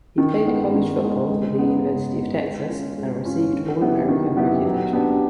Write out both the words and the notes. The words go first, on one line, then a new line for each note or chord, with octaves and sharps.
He played college football for the University of Texas, and received All-American recognition.
D#3
G#3 B3 D#4
D#3
G#3 B3 D#4
G#3
B3 D#4
G#3
B3 D#4
G#3
C#4 F4
G#3
C#4 F4
D#3
F#3 B3 E4 G4
D#3
F#3 B3 E4 G4
F#3
B3 D4 G4